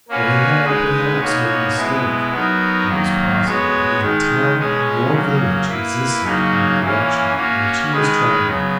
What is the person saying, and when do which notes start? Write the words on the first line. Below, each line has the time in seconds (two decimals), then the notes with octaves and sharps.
Or he had, perhaps, made a mistake, and it was possible that neither town nor village existed in the direction in which he was travelling.
0.09 A#3 C#4 F#4 B4
0.64 G#3 D#4 G#4 B4
1.21 B2 A#3 D#4 F#4 C#5
1.76 B2 G#3 B3 E4
2.33 F#3 B3 D#4 F#4 A#4
2.88 D#3 F#3 A#3
3.45 G#3 B3 F#4 C#5
4.00 D#3 G#3 D#4
4.57 B2 G#3 C#4 G#4
5.12 C#3 F#3 A#3
5.68 A#3 E4 B4
6.23 C#3 F#3 A#3 D#4 F#4
6.80 E3 A#3 C#4
7.35 A#3 C#4 F#4
7.91 D#3 G#3 D#4 G#4 B4
8.47 C#3 F#3 B3